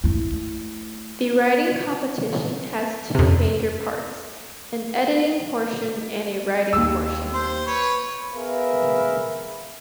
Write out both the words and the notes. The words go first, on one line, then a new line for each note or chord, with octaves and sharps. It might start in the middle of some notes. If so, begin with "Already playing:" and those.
The writing competition has two major parts: an editing portion and a writing portion.
A3 E4
F2 C3
D#2 E6
C5
B4 C#5
B3 G#4 A#4 B4 E5 F5